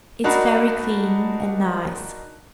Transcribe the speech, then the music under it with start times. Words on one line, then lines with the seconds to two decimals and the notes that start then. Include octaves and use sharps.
"It's very clean and nice."
0.24 D4 D#4 F#4 A#4 A5 B5